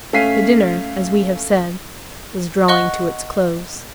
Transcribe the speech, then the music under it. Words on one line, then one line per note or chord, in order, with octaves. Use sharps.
The dinner, as we have said, was drawing to its close.
A3 C#4 F5 B6 C7 D#7
D#5 F#5 C#6 F#6 G7